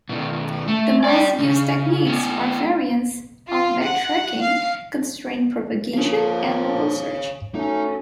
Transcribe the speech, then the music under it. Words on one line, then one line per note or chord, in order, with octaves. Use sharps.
The most used techniques are variants of backtracking, constraint propagation, and local search.
B2 D#3
A3
D5 G5
D2 C#3
B3 C#4
F4
F#5
F5
F3 A#3 C#5 F5
A3 C#4 D#4 F#4